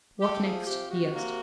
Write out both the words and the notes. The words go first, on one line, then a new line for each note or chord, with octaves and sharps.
"What next?" he asked.
A3 G4
F3 G#4
C3 G4
C3 F#4
A#3